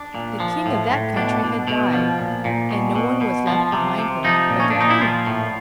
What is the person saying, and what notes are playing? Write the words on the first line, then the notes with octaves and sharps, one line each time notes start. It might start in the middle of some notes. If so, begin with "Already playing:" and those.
The king of that country had died, and no one was left behind him but the queen.
Already playing: D4
A#2
F3
A2
A2
B2 D4
B2
B2
F3
A#2
A#2
B2
B2
B2
F3
C3
C3
F3 D#4
A#2
C#4
D4
A#2
D#4
E4
F3 F4
A2